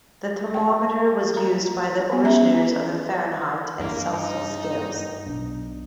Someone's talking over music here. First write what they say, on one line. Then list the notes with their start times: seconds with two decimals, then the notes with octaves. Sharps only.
The thermometer was used by the originators of the Fahrenheit and Celsius scales.
0.54 G5
1.37 A#5
2.12 B3
2.25 C#4 E5 A#5
3.79 G2 A#3
4.13 D#4
5.26 B1 D4